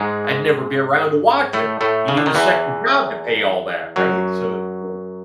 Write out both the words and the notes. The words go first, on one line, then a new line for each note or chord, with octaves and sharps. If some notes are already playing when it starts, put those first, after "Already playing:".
I'd never be around to watch it. You need a second job to pay all that, right, so yeah.
Already playing: G#2 G#3
A2 A3
A2 A3
C#3
D3
D#3
E2 E3
F#2 F#3